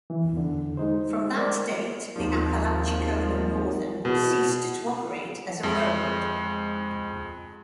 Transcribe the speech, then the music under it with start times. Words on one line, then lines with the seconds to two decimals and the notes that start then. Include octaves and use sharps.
From that date the Apalachicola Northern ceased to operate as a railroad.
0.10 E3
0.33 E2 D3
0.77 G#3 D#4 C5
1.34 G#3 A#4 C5 D5
2.16 G#1 D#2 F3
4.05 E2 B2
5.63 F2 G#3